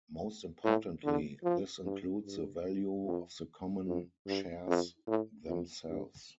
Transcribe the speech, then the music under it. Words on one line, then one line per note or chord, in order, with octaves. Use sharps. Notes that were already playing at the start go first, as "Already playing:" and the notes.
Most importantly, this includes the value of the common shares themselves.
A2
D3
F3
G2
G2
F2
F2
G2
F2
A2
F2
G2